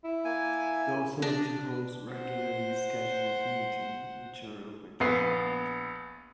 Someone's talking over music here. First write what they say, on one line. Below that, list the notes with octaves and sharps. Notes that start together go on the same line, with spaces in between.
The Authority holds regularly scheduled meeting which are open to the public.
E4
A#3 G#5
D4
C5 F#5
A#1 B3 C7